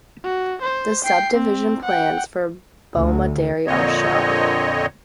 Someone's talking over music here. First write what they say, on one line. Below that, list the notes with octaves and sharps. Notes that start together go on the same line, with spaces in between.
The subdivision plans for Bomaderry are shown.
F#4
C5
G5 C7
C4
F#5 G5
D2
F2 A#2 D3 C4 C#5 D#5